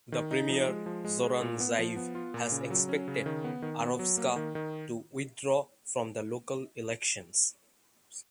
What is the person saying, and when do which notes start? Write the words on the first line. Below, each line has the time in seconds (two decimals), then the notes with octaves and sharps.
The premier Zoran Zaev has expected Arovska to withdraw from the local elections.
0.12 D#3
0.31 D#4
0.49 F3
0.68 G#3
0.86 F3
1.05 G#3
1.23 G#3
1.41 A#2
1.60 B3
1.78 F3
1.96 B3
2.15 F4
2.34 A#2
2.52 C#3
2.70 F#3
2.89 C#4
3.08 C#3
3.26 D#3
3.44 B3
3.62 D#3
3.81 B3
3.99 F#3
4.17 A#3
4.36 D#3
4.55 D#3